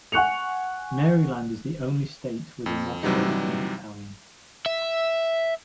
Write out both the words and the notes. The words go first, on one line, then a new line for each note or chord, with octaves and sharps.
Maryland is the only state with a motto in Italian.
F#5 G#5 C#6 F#6 C#7 F7
F2
G2 C3 E3 F#3 G3 D#4
E5